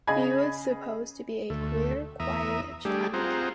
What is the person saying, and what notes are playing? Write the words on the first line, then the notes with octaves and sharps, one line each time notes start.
He was supposed to be a queer, quiet child.
C#3 G#4 D#5 B5 G#6
D2 A3
E2 E5 A#5 D#6
G3 A3 D4 G4 G#4
C4 F4 G#4 C5 F#5 A#5